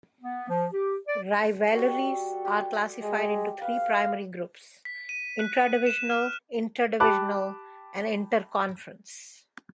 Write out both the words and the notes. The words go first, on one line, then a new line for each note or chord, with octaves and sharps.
Rivalries are classified into three primary groups; intradivisional, interdivisional, and interconference.
B3
F3
G4
D5
G3 F#4 A4
G4
G#3
B4 F5
B6
D#7
F#6
E7
F6
G4 A5 B5 D6 F#6